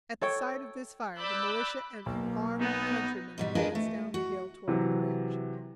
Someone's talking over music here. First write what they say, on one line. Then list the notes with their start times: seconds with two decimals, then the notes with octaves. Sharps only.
At the sight of this fire the militia and armed countrymen advanced down the hill toward the bridge.
0.21 A4 C#5 G5
1.17 D5 B5 D6 E6 F#6 G6
2.06 B1 A#3
2.61 B3 D#4
3.38 G#2 B2 G3
3.55 D4 F4 G#4 A#4 B4 D#5
3.75 A3
4.14 F#4
4.68 C3 E3 F#3